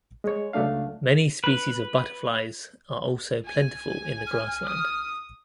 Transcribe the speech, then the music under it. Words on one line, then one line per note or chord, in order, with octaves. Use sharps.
Many species of butterflies are also plentiful in the grassland.
G#3 C#5
C#2 F#3 A3 D4 F5
B4
G#5
F6
D#6